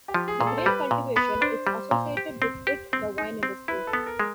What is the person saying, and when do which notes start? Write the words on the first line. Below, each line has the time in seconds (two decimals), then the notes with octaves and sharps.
The Grape cultivation it's associated with it the wine industry.
0.08 G4
0.14 F3
0.28 G#4
0.41 A#2
0.47 A4
0.58 C5
0.66 G3 B4
0.91 A#2
1.16 B3 B4
1.41 D4 C5
1.67 G3
1.91 A#2
2.17 G4
2.42 C4
2.67 G4
2.93 C4
3.18 D#4
3.43 C4
3.68 E4 B4
3.87 A4
3.93 B3
4.07 A#4
4.19 G#3